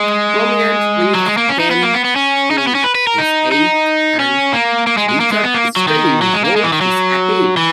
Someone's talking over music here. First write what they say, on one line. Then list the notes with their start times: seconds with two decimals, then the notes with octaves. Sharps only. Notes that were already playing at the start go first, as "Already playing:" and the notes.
Prominent Whigs came to his aid, and Richard Steele wrote his appeal.
Already playing: G#3
1.15 F#3
1.26 G#3
1.37 A#3
1.49 C#4
1.60 D#4
1.71 B3
1.83 A#3
1.94 B3
2.05 B3
2.16 C#4
2.51 D#4
2.58 C#4
2.67 B3
2.75 C#4
2.84 B4
2.95 B4
3.07 A#4
3.18 D#4
3.52 D#4
4.19 C#4
4.53 A#3
4.87 A#3
4.97 G#3
5.09 G#3
5.20 A#3
5.32 G#3
5.44 B3
5.55 A#3
5.76 F#3
5.88 D#3
6.22 F#3
6.34 G#3
6.44 A#3
6.56 G#3
6.64 E3
6.73 D#3
6.81 F#3
7.57 E3